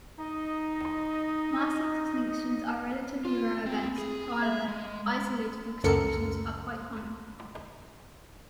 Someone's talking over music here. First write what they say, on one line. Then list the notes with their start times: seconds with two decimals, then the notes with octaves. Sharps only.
Mass extinctions are relatively rare events; however, isolated extinctions are quite common.
0.18 D#4 D#5
3.25 F4
3.66 C4
3.98 G#4
4.42 E5
4.68 G#3
5.84 C#2 F#2 A4 A#4 C#7